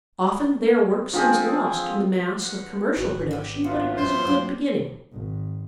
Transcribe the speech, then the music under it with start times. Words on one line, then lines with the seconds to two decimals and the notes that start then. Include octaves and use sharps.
Often their work seems lost in the mass of commercial production, but it is a good beginning.
1.13 F3 C4 G#4
2.42 G2 D3 F#5
2.97 G#1 C#3 B3 F#4
3.31 B3 F#4 G4
3.64 A2 F#3 B3 F4
3.97 G2 F3 C5
4.27 F#3 D4 G4
5.12 G#1